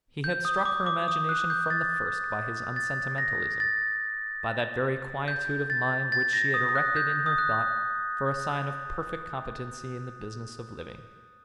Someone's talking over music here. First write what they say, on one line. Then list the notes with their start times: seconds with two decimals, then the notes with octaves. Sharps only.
He had struck her imagination from the first by his unsentimentalism, by that very quietude of mind which she had erected in her thought for a sign of perfect competency in the business of living.
0.24 G6
0.45 D#6
0.65 D6
0.86 D6
1.08 D#6
1.29 F#6
1.50 G6
1.70 A6
2.76 A6
3.18 A#6
3.60 A6
5.28 G6
5.70 A6
6.12 A6
6.33 A#6
6.54 D#6
6.69 D#6
6.75 F#6
6.96 G6
7.26 D#6
7.38 F#6